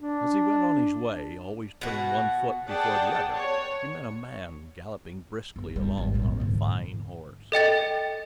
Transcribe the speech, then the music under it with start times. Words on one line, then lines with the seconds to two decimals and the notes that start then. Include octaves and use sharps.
As he went on his way, always putting one foot before the other, he met a man galloping briskly along on a fine horse.
0.01 D4
1.81 B2 F#4
2.68 G#4 D5 F#5 G5 A5
3.34 C#5
5.56 G1
5.76 G3
5.98 G#1
6.14 A#2 F#3
6.40 G#2 D3
7.52 A4 D#5 G5 A6